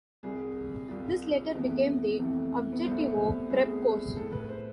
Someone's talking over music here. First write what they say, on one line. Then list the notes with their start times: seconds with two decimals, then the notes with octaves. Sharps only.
This later became the Objetivo prep course.
0.23 C2 C3 G#3 G#4
0.88 C2 C3 G#3 F4
1.55 F2 C3 E3 A3 B3
2.20 F2 C3 E3 A3
2.72 B3
2.85 C2 B2 A3 C4
3.50 C2 B2 A3 G#4
4.16 A2 G#3 A4
4.32 B4
4.49 C5